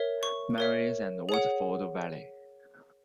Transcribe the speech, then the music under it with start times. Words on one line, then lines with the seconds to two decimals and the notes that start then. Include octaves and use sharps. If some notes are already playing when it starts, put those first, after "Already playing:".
Mary's and Waterford Valley.
Already playing: A#4 C#5 E5
0.23 C#6
0.58 A#4 C#5 E5
1.29 G#4 C#5 F#5